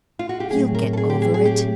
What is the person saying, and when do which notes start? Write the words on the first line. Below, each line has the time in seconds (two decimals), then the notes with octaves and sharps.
You'll get over it.
0.19 F4
0.29 F#4
0.40 G4
0.49 A2 F#3 A3 C4 G#4
0.75 A#4
0.93 A4
0.97 G#4
1.10 G4
1.22 G#4
1.34 G#4
1.45 G4